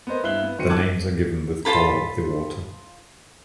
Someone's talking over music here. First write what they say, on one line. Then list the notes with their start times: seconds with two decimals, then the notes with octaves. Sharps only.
Their names are given with color of the water.
0.07 B3 A#4 C5 D#5
0.23 G2 E4 E5 F5 F#6 G7
0.43 B3
0.58 G1 D#3 C4 F#4 C#7 D#7
0.70 A5 D6 E6 F#6 G#6
1.65 F4 A4 B5